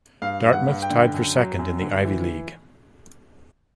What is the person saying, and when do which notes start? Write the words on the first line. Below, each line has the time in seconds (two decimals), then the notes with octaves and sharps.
Dartmouth tied for second in the Ivy League.
0.22 G2 F5
0.45 G2
0.53 F#5
0.68 G2
0.82 G5
0.90 D3
1.14 F#2
1.36 F#3
1.59 F#2
1.82 D3
2.05 E3